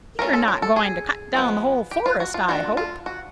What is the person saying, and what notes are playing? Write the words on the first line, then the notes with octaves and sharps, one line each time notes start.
"You're not going to cut down the whole forest, I hope."
A3 C#4 F4 A#4
A4
A#4
A4
G#4
F3 G#3 B3
G4
F4
F#4
F4
A3 D4 F4 F#4
F4
F#4